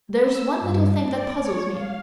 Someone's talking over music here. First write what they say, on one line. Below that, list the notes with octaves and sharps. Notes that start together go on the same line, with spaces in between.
But there's one little thing that puzzles me.
E6
G2
D5
C#5
F5